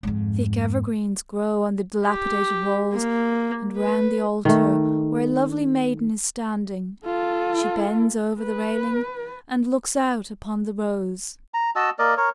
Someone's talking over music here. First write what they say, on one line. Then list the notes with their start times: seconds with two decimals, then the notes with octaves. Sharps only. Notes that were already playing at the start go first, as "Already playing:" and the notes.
Thick evergreens grow on the dilapidated walls, and around the altar, where a lovely maiden is standing: she bends over the railing and looks out upon the rose.
0.03 F2 G#2
2.05 G4
2.93 A#3
3.77 B4
4.45 D#3 A3
7.06 F4 A4
8.40 B4
11.54 A#5
11.76 F#4 D#5 A5 E6
11.99 A#3 A#4 D5 D#5
12.17 A#4 C#5